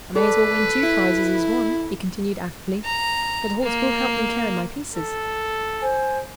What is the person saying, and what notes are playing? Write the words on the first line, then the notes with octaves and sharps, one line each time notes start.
"I may as well win two prizes as one," he continued, affably, "for the horse will help me carry my pieces."
A4 B4 D5
E4
A#5
A#3
A4
C5 G#5